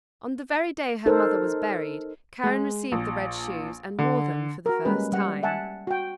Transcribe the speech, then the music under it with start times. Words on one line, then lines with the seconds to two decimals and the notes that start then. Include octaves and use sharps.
On the very day her mother was buried, Karen received the red shoes, and wore them for the first time.
1.06 D#4 A4 A#4 C5
2.44 G#3
2.92 A#1
3.99 D3
4.66 F#4 A#4
4.85 G3 G#3 A#3 C#4 B4
5.13 G3 F#5
5.43 E5 F#5 G#5 A5
5.87 F#4 G5